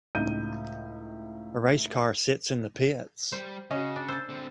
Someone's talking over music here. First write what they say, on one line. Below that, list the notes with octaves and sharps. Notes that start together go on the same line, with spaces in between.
A race car sits in the pits.
C#2 A2 D#4 G6 D#7
G3 C5
C#3 C#4 F#4 D#5
D4
C5 E6 G6 A6
D3 C4